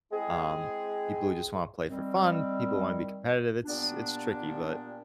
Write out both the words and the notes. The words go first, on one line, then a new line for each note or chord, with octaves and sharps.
um, people who just wanna play for fun, people who wanna be competitive. It's it's tricky but,
G#3 C4 E4 G#4
D#3 G3 C4
A#2 G3 B3 D4